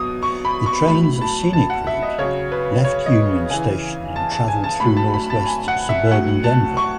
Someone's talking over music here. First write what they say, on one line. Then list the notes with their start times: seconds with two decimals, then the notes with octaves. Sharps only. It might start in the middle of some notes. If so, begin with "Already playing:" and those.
The train's scenic route left Union Station and traveled through northwest suburban Denver.
Already playing: B2 F#3 D#6
0.23 C#6
0.45 B5
0.66 C#6
0.88 A2 F#3 B5
1.21 A5
1.53 A5
1.70 F#5
1.87 E5
2.03 D#5
2.18 C#3 F#3 C#5
2.52 B4
2.84 C#5
3.06 D#5
3.50 C#3 E3 G#5
4.16 A5
4.32 A5
4.48 G#5
4.64 A5
4.80 A2 F#3 B5
4.97 A5
5.14 B5
5.30 A5
5.46 G#5
5.68 F#5
5.89 E5
6.11 A2 F#3 F#5
6.44 A5
6.77 C#6